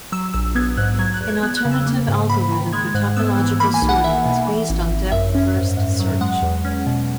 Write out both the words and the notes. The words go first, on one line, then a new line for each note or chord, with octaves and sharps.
An alternative algorithm for topological sorting is based on depth-first search.
F#3 E6
A#1 E6
B3 G#6
G#2 F#6
F#3 G#6
F#6
E2
G#6
B3 F#6
F#6
C#3
E6
A#3
G#2
G#2 B5
D#3
G#3 G#6
G#2 F#6
B3 E6
E3
A#3 B5
G#5
B1
F#5
B1 E5
B2
E3
G#1
G#1
F#2 E5
C#4
G#2
G#2
F#3
G#3 F#5
E2
C#4
B2